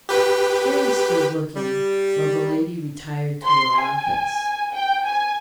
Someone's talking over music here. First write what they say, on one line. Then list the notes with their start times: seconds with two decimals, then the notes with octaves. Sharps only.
Carrie stood looking while the lady retired to her office.
0.09 G4 B4
1.55 G3
3.46 C6
3.78 G#5
4.73 G5
5.05 G#5